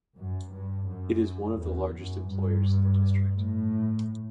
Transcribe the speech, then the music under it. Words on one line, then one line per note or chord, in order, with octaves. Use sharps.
It is one of the largest employers in the district.
F#2
G2
F#2
E2
F#2
G2
A2